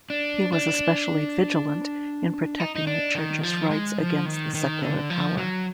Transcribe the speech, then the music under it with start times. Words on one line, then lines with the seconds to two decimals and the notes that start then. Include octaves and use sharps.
He was especially vigilant in protecting the Church's rights against the secular power.
0.10 D4
0.53 D4
2.60 D#4
2.75 D#4
2.87 D4
3.15 D#3
3.43 F3
3.70 G#3
3.98 F3
4.26 D#3
4.54 D#3
4.81 D3
5.10 F3
5.37 F#3